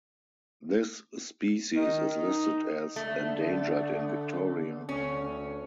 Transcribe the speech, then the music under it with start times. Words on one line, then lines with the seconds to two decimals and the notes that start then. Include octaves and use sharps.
This species is listed as "endangered" in Victoria.
1.75 D#3
2.18 D#4
2.96 D3 A3
4.89 D2 C#4